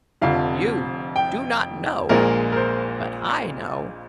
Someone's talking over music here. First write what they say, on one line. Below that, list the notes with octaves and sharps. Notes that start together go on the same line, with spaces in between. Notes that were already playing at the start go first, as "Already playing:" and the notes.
You do not know; but I know.
F1 F2 D3 F5
G5
A#1 A#2 G#3 A#4
A#4
C5